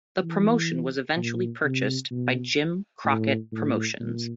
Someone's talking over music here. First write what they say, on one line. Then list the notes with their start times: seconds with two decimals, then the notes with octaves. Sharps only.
The promotion was eventually purchased by Jim Crockett Promotions.
0.23 E3
1.16 A#2
1.64 C3
2.11 B2
3.04 A2
3.52 A2
4.00 A#2